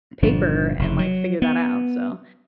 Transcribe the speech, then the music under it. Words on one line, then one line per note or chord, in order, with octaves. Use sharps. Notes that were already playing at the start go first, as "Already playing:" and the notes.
paper and, like, figure that out." So
G1 A#2 F3 D4
F1 C#3
F#3
B3